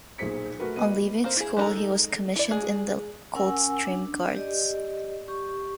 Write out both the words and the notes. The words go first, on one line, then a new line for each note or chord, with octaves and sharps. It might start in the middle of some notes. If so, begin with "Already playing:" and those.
On leaving school he was commissioned in the Coldstream Guards.
B1 A#2 G#4 C5 B6 C#7
A3 F#4 A#4 B4
A#3 B4 D#5 D#7
A#3 C4 C5
E4 G#4
G#3 D4 D#4 A4 A#5
E4 D5
G#3 G#4 G#5
C#4 A#4 F#5 G#5 E6
D4
G4 D5 D#5
G4 C#6